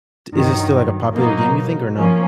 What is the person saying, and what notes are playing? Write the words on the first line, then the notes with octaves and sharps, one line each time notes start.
Is this still, like, a popular game, you think, or no?
G2 D#3 F#3
B2 F#3 A#3 D#4
F3 A#3 C#4